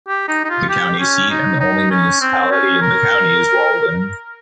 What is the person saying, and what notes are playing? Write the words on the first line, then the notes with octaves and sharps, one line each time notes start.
The county seat and only municipality in the county is Walden.
G4
D#4
D#4
F4
G4
C#4
D#4
D#4
C#4
C4
C#4
A#4